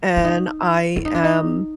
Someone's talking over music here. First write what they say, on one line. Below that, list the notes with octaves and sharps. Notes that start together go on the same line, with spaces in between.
and I am
E4
D#4
E4
D#4
D4
D#4